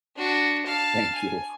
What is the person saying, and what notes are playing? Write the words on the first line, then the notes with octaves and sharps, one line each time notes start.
Thank you.
D4 F#4
F5 A5
G#5